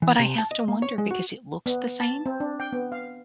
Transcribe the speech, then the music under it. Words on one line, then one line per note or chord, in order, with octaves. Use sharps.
but I have to wonder because it looks the same,
E3
C3
A5
D#5
A#3
C#5
G#3
F#4
B3
A5
C4
D4
G5
B3
F5